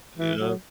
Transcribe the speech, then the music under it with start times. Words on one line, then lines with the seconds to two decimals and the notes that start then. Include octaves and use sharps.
You know?
0.18 E3
0.39 F#3